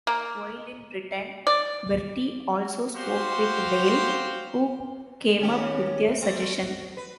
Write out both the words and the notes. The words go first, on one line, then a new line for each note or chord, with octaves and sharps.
While in Britain, Bertie also spoke with Dale, who came up with a suggestion.
A#3
D5
F#4 G4 C5 F5 C6
D#2 C#4 G4
A3 A#3 C4
F#4
B4